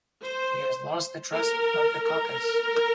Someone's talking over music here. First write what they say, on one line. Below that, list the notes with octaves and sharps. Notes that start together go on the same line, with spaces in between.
He has lost the trust of the caucus.
C5
A#4
A#4